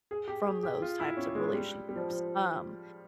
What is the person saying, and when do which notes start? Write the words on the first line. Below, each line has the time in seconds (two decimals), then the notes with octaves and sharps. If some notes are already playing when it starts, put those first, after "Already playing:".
from those types of relationships. Um,
0.11 G#4
0.28 G4
0.46 G#4
0.63 G4
0.82 F4
1.00 E4
1.17 C#4
1.35 G#3
1.53 G3
1.89 G3
1.96 F3
2.10 F3